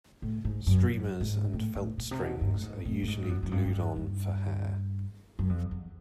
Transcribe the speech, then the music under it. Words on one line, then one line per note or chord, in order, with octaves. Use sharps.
Streamers and felt strings are usually glued on for hair.
A2
G#2
F#2
G#2
A2
A2
A#2
C3
B2
G2
A2
G#2
A2
A2
G#2
G2
F#2
F#2
G2
G#2
G2
G2
F#2
F2
E2